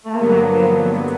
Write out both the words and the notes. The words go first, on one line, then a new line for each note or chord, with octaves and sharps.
Oh my goodness.
G2 D3 F#3 A#3 B3